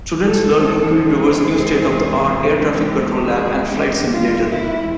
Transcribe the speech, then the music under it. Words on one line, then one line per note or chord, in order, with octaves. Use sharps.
Students learn in Green River's new state-of-the-art air traffic control lab and flight simulator.
E2 C3 D#3 G#3 C4 A4
G#4
G4
G#4
E2 C3 D#3 G#3 G4
F4
E4